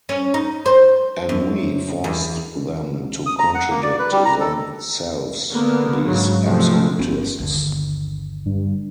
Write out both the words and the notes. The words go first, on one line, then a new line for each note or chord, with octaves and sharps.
And we forced them to contradict themselves, these absolutists!
C#4
D#4
C5
F#2
E2
D#6
A#5
F#5
A#3
D5
B4
G3
A#5
A4
D3 A#3 B3
G#2 C#3 F#3
C3 F3 G#3 A3 C4
G1 B3 C#4
G1 D#2 D3
G2